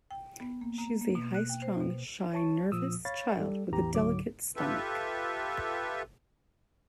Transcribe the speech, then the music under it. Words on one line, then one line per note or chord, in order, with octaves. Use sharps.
She is a high-strung, shy, nervous child with a delicate stomach.
G5
B3
A#3
A#5
A#3
B2
F#6
G5
C5
B2
C#5 A5 C#6
A#2 F3 D#6 E6
C#5 F5 B5 A6
G3 A4
A1 E2 E3 G4 A#5
C#2 G#2 D3 F#3 D6
F4 G4 A4 B4 E5